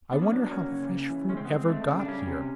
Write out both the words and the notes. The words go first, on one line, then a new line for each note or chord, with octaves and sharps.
I wonder how fresh fruit ever got here.
B3 D4
C#4
F#3 D4
A#3 C#4
C#3
C#3
E3
G#3 C#4
C4
B3
G#3 C4
A3
C#3
D4
G3 C#4
C3